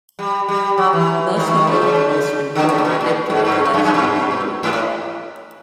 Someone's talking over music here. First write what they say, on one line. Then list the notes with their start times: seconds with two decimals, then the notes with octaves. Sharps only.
Thus he built the most important Diptera collection of the age.
0.19 G3
0.48 G3
0.78 F#3
0.93 E3
1.37 D#3
1.47 E3
1.57 D#3
1.67 C#3
1.82 C#3
2.55 D3
2.70 C#3
2.78 A#2
2.85 B2
3.01 A#2
3.30 G#2
3.45 G2
3.74 F#2
3.84 F#2
3.94 G2
4.63 G#2
4.73 A2